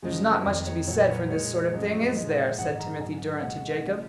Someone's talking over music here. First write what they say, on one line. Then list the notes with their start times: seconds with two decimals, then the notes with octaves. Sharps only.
"There's not much to be said for this sort of thing, is there?" said Timothy Durrant to Jacob.
0.02 F#2 C#3 F3 G#3 G#4
0.31 B4
0.45 F2 D#3 G#3 B4
0.66 C#5
0.87 A#2 F#3 C#5
1.00 B4
1.09 C#5
1.30 A#2 G#3 C#5
1.73 F#2 F3 G#3
2.16 A#2 F3 G#3 D#5
2.30 F#5
2.44 D#5
2.58 G#2 D#3 G#3 F#5
2.79 A#5
3.00 G#2 G#5
3.05 F#3
3.43 B2 G#3 F#5
3.85 C#3 F3 G#3